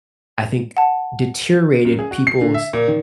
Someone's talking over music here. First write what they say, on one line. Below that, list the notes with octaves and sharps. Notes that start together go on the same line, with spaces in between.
I think, deteriorated people's
F#5 A5
F#2
G#4
F#4
C7
D3
E5
A#2
D#3